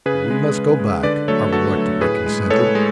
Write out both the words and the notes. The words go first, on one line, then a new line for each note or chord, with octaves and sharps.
"We must go back," I reluctantly consented.
C#3 G#4 B4
G#3
C#3
G#3
D3 B4 D5
F#3 A3 A4 C#5
D3 F#4 A4
F#3 A3
A2 G#4 B4
G#3
A2 A4 C#5
G#3